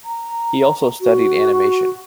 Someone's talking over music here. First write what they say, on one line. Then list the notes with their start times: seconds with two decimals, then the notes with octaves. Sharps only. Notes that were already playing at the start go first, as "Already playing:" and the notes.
He also studied animation.
0.05 A#5
1.01 F#4